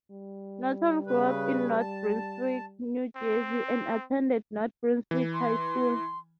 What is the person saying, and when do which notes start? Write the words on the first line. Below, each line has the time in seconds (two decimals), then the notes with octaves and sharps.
Norton grew up in North Brunswick, New Jersey, and attended North Brunswick High School.
0.11 G3
1.07 C#3 B4
1.79 A5
3.16 C4
5.11 E3
5.34 C6